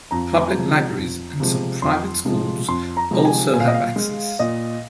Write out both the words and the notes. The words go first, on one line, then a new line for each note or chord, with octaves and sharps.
Public libraries and some private schools also have access.
F2 A#5
C3 F3 G#3
F2
C3 F3 G#3
F2 C6
C3 F3 G#3
F2 C6
A#5
C3 F3 G#3
G#5
A#2 G#5
F5
D#5
F5
G#3
A#2 D#5